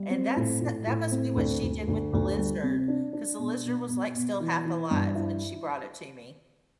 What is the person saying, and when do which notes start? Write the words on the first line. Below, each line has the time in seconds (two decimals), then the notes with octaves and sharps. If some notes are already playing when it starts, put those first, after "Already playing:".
And that's that that must be what she did with the lizard, 'cause the lizard was, like, still half alive when she brought it to me.
Already playing: G3
0.10 C4
0.36 A2
0.61 A2
0.87 A2
1.11 C4
1.36 D2
1.62 D2
1.88 D2
2.13 D2
2.38 G3
2.63 C3
2.88 D4
3.13 D4
3.38 B2
3.64 B2
3.89 B2
4.15 B2
4.40 E3
4.65 E3
4.91 G2
5.15 E4